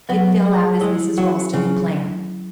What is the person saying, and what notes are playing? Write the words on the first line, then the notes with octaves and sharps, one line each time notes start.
It fell out as Mrs. Ralston had planned.
F#3 B3
G#4
G#3 E4
F#3 C#4
C#3 F#3